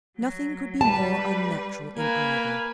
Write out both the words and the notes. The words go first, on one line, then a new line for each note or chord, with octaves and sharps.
Nothing could be more unnatural in either.
F#3
G3 B4 A5
A#3 B4 G#5